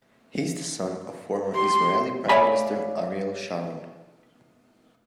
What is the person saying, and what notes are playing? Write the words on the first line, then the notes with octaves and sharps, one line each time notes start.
He is the son of former Israeli Prime Minister Ariel Sharon.
G4 C6
C#5 D5 E5 F5 G#5 B5